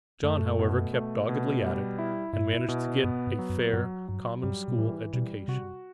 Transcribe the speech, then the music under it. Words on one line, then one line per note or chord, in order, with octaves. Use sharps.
John, however, kept doggedly at it, and managed to get a fair, common-school education.
F#2 A3
B2
A3
B2
G3
E4
G2 E4
B2
G2 B3
G2
F#3
F#2
G2 F#3
G2 F#3
G2 G3
B2
A2 E3
B2 G3
C3 F#4